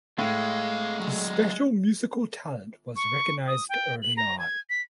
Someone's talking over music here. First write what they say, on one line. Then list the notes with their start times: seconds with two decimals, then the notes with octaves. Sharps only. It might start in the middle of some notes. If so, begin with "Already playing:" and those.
His special musical talent was recognized early on.
0.18 A2 G#3 A3 F5
0.99 F#3 A3
2.96 C#6
3.47 D#6
3.69 G5
4.02 F#7
4.17 A#5
4.39 G#6
4.70 B6